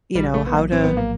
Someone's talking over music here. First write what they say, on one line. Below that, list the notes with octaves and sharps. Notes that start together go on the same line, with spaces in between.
you know, how to
A#1 G3
A#1 A3
B3
F#3 A#3
A2 C4
B3
A#1
A#3